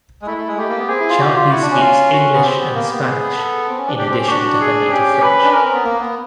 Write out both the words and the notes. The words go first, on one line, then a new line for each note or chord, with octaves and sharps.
Charpy speaks English and Spanish in addition to her native French.
G#3
A3 E4
A3
G#3
A3 G4
A#3
B3
C4 G#4
E4
F4
F#4 G4
F4
E4 F#4
D4
C#4
F4
F#4
B3
C4 G4
B3
A#3
B3
C4
B3 G#4
A4
C4
C#4
D4
D4 G4
C4
C#4
D4 F#4
G#4
C4
C#4 G4
B4
D4
C#4 A#4
C4
B3
A#3
B3